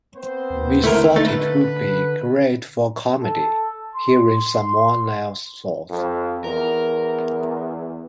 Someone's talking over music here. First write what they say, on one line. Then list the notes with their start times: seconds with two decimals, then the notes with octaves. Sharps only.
We thought it would be great for comedy, hearing someone else's thoughts.
0.14 B3 C4 C5
0.50 D#2
0.84 D3 A3 E4 A#4
1.16 A3 D#4 B4 A6
3.21 A4
3.95 C6
4.31 C6
5.90 F2
6.44 E2 A#4